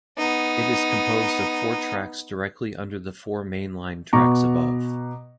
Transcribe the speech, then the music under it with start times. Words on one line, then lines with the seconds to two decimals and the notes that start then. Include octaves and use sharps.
It is composed of four tracks directly under the four main line tracks above.
0.17 B3 D#4
4.13 B2 B3 A#5 C#6 D6